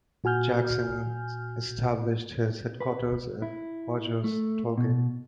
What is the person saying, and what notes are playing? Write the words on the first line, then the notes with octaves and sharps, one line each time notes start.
Jackson established his headquarters at Rodgers's tollgate.
A#2 F#4 G#5 F6 G6
B4
E4
A3
B2